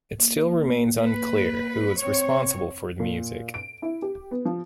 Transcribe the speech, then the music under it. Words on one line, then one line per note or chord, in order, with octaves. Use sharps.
It still remains unclear who was responsible for the music.
A#3
B4
C4 C#5
A#2
D7
E4
G4
B3
F3